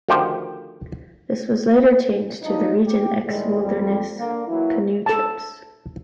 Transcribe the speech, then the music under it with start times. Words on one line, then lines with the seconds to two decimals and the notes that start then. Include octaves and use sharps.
This was later changed to the Region X Wilderness Canoe Trips.
0.09 D2 D#3 F3 G4 C5 G5
2.43 F3 D4 D#4
2.86 G4
3.27 A2 D#3 G3 G#3
3.62 F2 G3
4.17 D3 A#3
4.47 E3 F#3 A#3 E4
5.06 A4 A5